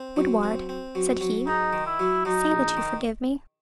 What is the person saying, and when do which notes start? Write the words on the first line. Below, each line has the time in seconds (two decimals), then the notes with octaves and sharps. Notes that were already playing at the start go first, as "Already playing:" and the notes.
Woodward,' said he, 'say that you forgive me.'
Already playing: C4
0.17 F#3
0.43 C4
0.69 C4
0.95 F#3
1.21 F#3
1.47 G#2 D#4
1.73 D#3
1.86 E4
1.99 F#3
2.25 F#3 D#4
2.52 A#1
2.77 D#3